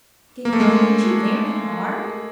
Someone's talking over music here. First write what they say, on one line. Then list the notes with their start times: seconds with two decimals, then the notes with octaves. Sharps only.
"Did he bite you very hard?"
0.45 A#3
0.53 A3
0.60 G#3 A#3